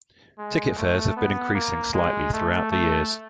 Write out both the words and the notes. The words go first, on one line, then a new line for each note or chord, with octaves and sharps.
Ticket fares have been increasing slightly throughout the years.
G#3
A3
B3
A#3
G#3
A3
A3